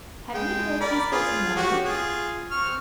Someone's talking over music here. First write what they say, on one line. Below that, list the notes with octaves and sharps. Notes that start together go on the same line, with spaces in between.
Have you heard he is getting married?
G#3 G5
A#4 D5 B5
F4 G#4
F#4 G4 C#5
F4 G#4
C4 C#6 F6